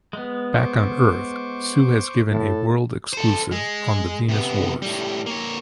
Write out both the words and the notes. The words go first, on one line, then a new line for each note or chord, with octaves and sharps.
Back on Earth, Sue has given a world exclusive on the Venus Wars.
G#3 B3
C5 C#6 D6
A2 A4
A4 C5
G#3
C3 B3
A2 G3
A#3 C#5